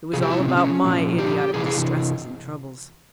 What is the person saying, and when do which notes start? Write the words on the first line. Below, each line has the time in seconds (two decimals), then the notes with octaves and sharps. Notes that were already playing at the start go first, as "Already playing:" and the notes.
It was all about my idiotic distresses and troubles.
0.13 C3 F3 G#4
0.22 G4
0.30 E4
0.40 C#4
0.48 C4
0.57 C#4
0.84 A#2 F3
1.18 G4
1.54 C3 E3 G#4
1.66 G#4